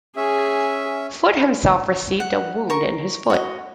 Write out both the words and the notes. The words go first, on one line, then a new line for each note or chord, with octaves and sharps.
Foote himself received a wound in his foot.
C#4 G#4 E5
F#5
A#4 C#6
F#4 D#5